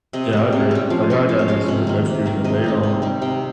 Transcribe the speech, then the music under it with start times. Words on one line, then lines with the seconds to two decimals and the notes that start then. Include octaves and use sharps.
Yeah, I agree, like I got nieces and nephews, and they, um
0.13 C3 D#5
0.33 G3 C#4
0.52 C3
0.71 G3 C#4
0.90 F3 F5
1.10 G#3 C#4
1.29 F3 F5
1.39 C#5
1.48 G#3 C#4 F5
1.68 C3
1.87 D#3 A#3
2.06 C3
2.26 D#3 A#3
2.44 C3 D#5
2.64 G3 C4 D#4
2.83 C3
3.02 G3 C4 D#4
3.22 C3 G5